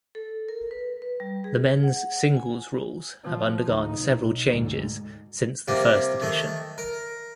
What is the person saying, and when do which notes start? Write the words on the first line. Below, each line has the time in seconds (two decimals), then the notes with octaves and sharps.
The men's singles rules have undergone several changes since the first edition.
0.15 A4
0.49 A#4
0.71 B4
1.02 B4
1.20 G3
1.44 G#4
1.83 F#5
2.37 G#5
3.24 F3
3.66 D2 D#4
3.97 B1
4.49 D2 G#2
5.68 C3 G3 A#3
6.21 D#3 A3
6.78 A#4